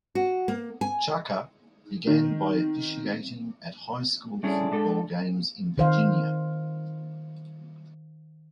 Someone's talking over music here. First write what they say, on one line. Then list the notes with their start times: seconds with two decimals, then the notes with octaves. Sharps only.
Chaka began by officiating at high school football games in Virginia.
0.15 F#4
0.48 A#3
0.81 G#5
2.07 D#3
4.43 G3 A3 C#4 D4 E4 G#4
4.72 G#3 D4 A4
5.78 D#3 C5 F5